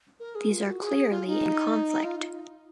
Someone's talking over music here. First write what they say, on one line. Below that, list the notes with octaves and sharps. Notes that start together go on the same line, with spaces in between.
These are clearly in conflict.
A#4
G#4
F4
F#4
G#4
F4
D#4
F4